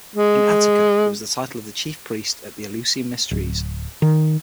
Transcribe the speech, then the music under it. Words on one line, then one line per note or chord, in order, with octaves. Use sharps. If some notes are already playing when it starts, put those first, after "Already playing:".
In Attica it was the title of the chief priest at the Eleusinian Mysteries.
G#3
D1
D#3